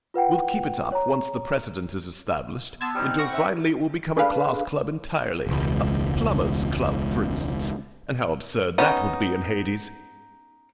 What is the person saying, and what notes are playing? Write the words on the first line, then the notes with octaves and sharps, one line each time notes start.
We'll keep it up, once the precedent is established, until finally it will become a class club entirely--a Plumbers' Club, for instance--and how absurd that would be in Hades!
F4 B4 F#5 G5
C#5 A#5
B3 A5 C6 E6 G#6
G3 C4 D#4 F6
F#5 C#6 A#6 C#7
C4 E5
D4 G#4 A4 B4 F5
E1 C#2
B3 C#4 D#4